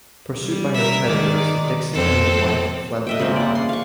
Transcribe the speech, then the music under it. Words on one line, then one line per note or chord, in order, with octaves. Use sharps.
Pursued by her creditors, Dixon and his wife fled the island.
G3
A#4 E5
D#3 G#3 D5
F2 C4 A4
D#5 E5 G5
C#3 G#3 A#3 C4
D5 F#5
C6
F5 C#6